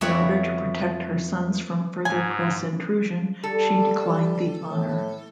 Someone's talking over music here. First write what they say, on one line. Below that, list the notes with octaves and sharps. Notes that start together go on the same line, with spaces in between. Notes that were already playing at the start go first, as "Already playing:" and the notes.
In order to protect her sons from further press intrusion she declined the honour.
F2 B3 E4 F#4 C#5 F#5
G#2 G#5
G3 A4
A2